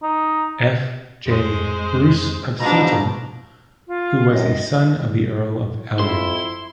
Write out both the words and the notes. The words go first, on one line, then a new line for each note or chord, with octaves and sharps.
F. J. Bruce of Seaton, who was a son of the Earl of Elgin.
D#4
F2 G#3 C5
G#2 B2 F3 D4 A#5 B5
F4
F#2 C3 D#5
F2 E4 C5 C6